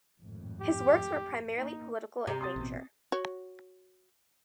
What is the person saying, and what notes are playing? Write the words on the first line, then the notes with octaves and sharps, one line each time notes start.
His works were primarily political in nature.
G#1 F2 A2
G4
A#3 D#4
C3 A#5
C6 D#6 A6
A1 B2
F#4 C#5